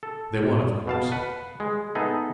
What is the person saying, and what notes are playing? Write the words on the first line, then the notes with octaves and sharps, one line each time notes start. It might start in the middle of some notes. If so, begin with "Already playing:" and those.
They won, of course.
A4
B2 F5 A5
B4 F#5
G#3
B3 D#4 G#4 A4 E5